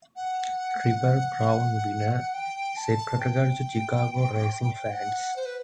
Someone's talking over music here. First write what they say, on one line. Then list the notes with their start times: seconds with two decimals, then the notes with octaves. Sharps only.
Triple Crown winner Secretariat to Chicago racing fans.
0.16 F#5
2.34 G5
2.77 A5
3.20 G5
4.92 F#5
5.36 C5
5.45 B4